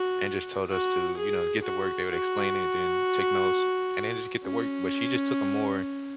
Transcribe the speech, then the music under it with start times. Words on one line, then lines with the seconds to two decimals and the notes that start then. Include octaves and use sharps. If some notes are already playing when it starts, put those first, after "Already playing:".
and just told us to, you know, get the work, they would explain it, then take notes, and then just get the work, but she just took a more
Already playing: F#4
0.71 F#4
1.17 G#4
1.64 F#4
2.11 F#4
4.45 C#4